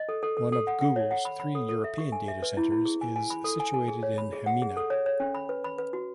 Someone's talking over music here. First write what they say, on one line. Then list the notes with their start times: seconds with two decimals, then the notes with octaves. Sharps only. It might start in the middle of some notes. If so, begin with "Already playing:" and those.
One of Google's three European data centers is situated in Hamina.
Already playing: D#5
0.09 A4
0.23 A4
0.37 A4
0.52 A4
0.67 F#5
0.81 F#5
0.96 C#5
1.11 F#5
1.25 B5
1.40 B5
1.55 A4
1.69 A4
1.84 E5
1.98 C#6
2.12 G#5
2.28 E5
2.43 B4
2.57 E4
2.72 E4
2.85 G#4
3.01 G#5
3.16 G#5
3.30 B5
3.44 A4
3.60 G#5
3.74 G#5
3.88 G#4
4.03 C#5
4.18 B5
4.33 G#4
4.46 F#5
4.62 G#4
4.77 A4
4.90 C#5
5.06 C#5
5.20 C#4
5.35 B5
5.49 B4
5.64 B5
5.78 B4
5.93 F#4